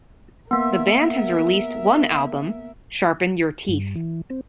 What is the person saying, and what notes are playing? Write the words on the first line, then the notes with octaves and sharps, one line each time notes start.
The band has released one album, "Sharpen Your Teeth".
A#3 B3 A#4 E5
G2
E3
C4